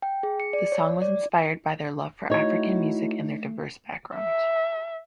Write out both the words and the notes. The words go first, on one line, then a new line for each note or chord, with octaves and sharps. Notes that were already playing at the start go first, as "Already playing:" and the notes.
The song was inspired by their love for African music and their diverse backgrounds.
G5
G#4
C#7
D5
C#5
D5
A3 D#4 E4 F#4 C#5
E5